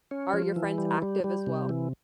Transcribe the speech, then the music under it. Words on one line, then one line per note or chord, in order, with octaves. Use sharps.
Are your friends active as well?
C#4
F3
E3
G3
G3
G3
C3
E3